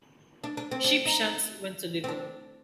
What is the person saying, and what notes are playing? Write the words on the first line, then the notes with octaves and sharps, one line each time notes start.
Sheepshanks went to live with him.
D4
D4
C4
D4
D#4
C4
D4